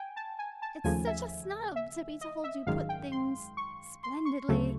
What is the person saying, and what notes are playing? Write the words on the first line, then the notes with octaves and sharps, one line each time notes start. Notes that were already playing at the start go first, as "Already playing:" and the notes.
It's such a snub to be told you put things splendidly.
Already playing: G5 G#5
A5
G#5
A5
D#2 C#3 F3 A3 G#5
E5
E5
D#5
E5
G#1 F#2 D#3 G#3 F5
G5
C6
C#6
C6
C#6
D2 C#3 F#3 A3